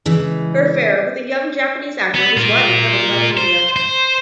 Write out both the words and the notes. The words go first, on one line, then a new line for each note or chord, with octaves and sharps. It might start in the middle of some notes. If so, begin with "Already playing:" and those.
Her affair with a young Japanese actor was widely covered by the media.
C#3 E3 G#3
B3
F4 A#4
C5
C5